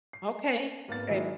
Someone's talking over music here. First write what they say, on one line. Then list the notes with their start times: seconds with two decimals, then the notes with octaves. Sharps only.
Okay, okay.
0.13 C7
0.88 G#1 A#3 B3 A6
1.09 D#3 F#3 G#3 A#3 E4